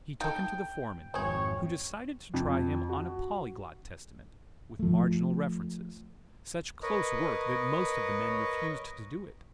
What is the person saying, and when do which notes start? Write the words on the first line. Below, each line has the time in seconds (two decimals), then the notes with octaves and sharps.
He took him to the foreman, who decided to try him on a Polyglot Testament, with marginal references, such close work that most of the men refused to do it.
0.21 D#4 A4 G5
1.14 G#1 F2 C4 G#4 C#5
2.34 F2
2.89 F#4
4.79 F3 A3
6.83 A#4 B4 C#5 D#5